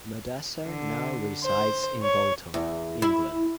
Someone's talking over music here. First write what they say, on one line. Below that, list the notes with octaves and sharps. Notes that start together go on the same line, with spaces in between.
Mudassar now resides in Bolton, England.
D3
C5
C#5
E2
E4